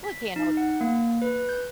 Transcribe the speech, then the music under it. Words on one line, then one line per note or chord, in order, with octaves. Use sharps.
Well, I can't hold you to
B6
D#4
F#5
A#3
B4
G6